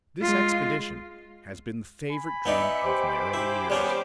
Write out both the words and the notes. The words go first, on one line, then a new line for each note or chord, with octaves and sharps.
This expedition has been the favourite dream of my early years.
G#3 F4
G#5 B5
B3 D#4 D5 E5 C#7
G4 C5 D6
E4
G3 B3 C#4 D4 G#4 D5